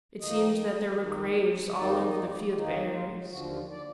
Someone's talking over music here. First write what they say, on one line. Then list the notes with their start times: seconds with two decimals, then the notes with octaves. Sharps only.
It seemed that there were graves all over the field of Ares.
0.21 F2 D#3 A#3 D#4 D#5
0.98 F2 D#3 A#3 D#4
1.76 F2 D#3 A#3 D#4 D5
2.10 D#5
2.15 D5
2.48 F4
2.54 F2 D#3 A#3 D#4
2.93 F4
3.31 D#2 D3 F3 F#4
3.70 D5